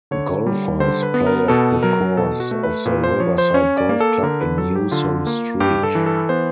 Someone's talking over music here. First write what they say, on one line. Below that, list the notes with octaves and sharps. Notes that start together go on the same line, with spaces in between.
Golfers play at the course of the Riverside Golf Club on Newsom Street.
D3 C#5
G3
D3 C5
B4
B3
A#4
B2 A4
F#3 A#4
B2 A4
F#4
A3
B4
A#2 B4
C5
F3 C#5
C5
C#4 C#5
D5
A#3
A4
D3 A#4
B4
F#3 A4
G4
D3 F4
A#3
G2 G4
A4
E3
A4
B3 C5